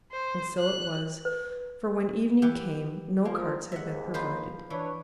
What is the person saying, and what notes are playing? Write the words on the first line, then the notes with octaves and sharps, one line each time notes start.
And so it was, for when evening came no carts had been provided.
C5
F#6
B4
E3 G4 F#5
F3 A#3
D#2 G#2 E5 F#5
F3 B4 C5
E3 D4 B4 C#5